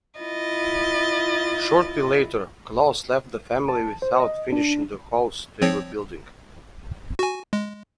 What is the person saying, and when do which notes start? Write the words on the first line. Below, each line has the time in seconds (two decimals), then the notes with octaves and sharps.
Shortly later, Claus left the family without finishing the house they were building.
0.19 E4 F4 D#5 A6
3.69 A5
4.02 C5
4.20 D#5
4.52 D4
5.62 F3 C4 C#5
7.19 F#4 G#5
7.53 G#3